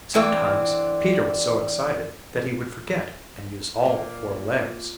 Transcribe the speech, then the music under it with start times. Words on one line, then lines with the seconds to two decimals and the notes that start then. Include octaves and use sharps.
Sometimes Peter was so excited that he would forget and use all four legs.
0.14 D3 E3 C4
3.85 A#2